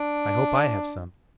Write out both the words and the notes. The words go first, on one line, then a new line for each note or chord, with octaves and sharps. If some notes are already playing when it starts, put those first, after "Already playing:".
I hope I have some.
Already playing: D4